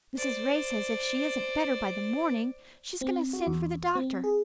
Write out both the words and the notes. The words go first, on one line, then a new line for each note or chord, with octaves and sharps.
Mrs. Ray says if she isn't better by the morning she's going to send for the doctor.
C5 D5
C4
F#4
E2
C4
G#4